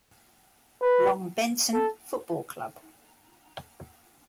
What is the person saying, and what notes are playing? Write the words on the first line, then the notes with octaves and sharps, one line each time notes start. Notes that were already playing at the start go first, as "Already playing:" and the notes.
Longbenton Football Club.
B4
A4